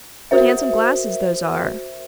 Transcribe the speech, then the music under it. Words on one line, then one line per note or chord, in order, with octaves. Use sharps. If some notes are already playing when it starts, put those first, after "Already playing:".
What handsome glasses those are!
F#4 A#4 C5 E5